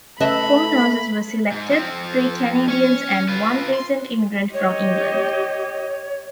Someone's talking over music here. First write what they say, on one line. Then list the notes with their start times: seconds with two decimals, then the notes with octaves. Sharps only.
Four nurses were selected, three Canadians and one recent immigrant from England.
0.20 C#3 A3 B4 D#5 E5 A5 B5
1.52 G#2
1.70 F3 C4
2.68 C#4 C#5
3.28 F4 B4
3.74 C6
4.54 G4 C#5 D#5